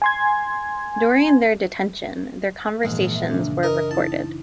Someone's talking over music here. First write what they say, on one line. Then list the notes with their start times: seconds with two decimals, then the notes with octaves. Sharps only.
During their detention, their conversations were recorded.
0.02 G#5 C6 G#6
2.83 A#1 G#2 E3
3.15 E5
3.31 F#2 C#3 D4
3.63 A#4 D#5
3.91 D#4 E4 A5